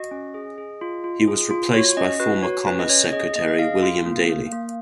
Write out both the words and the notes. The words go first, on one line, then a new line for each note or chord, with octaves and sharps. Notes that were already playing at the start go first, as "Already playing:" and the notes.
He was replaced by former Commerce Secretary William Daley.
Already playing: F#4 D#5
C#4
G#4
G#4
F4
F4
G#4
F4
F#4 C#5
C#4 D#5
F#4 B4
F#4 C#5
C#4 B4
D#5
C#4 C#5
G#4 D#5
A#3 D#5
D#5
G#4 F5
F4
A#3
A#3
A#3